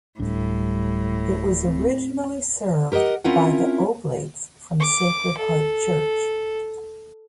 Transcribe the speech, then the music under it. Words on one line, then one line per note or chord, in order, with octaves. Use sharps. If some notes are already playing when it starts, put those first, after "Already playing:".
It was originally served by the Oblates from Sacred Heart Church.
D1 A2 G3 D4
C4
G4 A#4 C5 D#5 F#5
C4 C#4 E4 F4 A#4 F#5
D6
A4